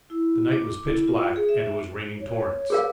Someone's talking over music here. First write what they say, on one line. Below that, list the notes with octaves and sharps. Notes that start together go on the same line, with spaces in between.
The night was pitch black and it was raining torrents.
E4
D6
E4
F4
G#4
E5
C#5
G#4 A#4 F5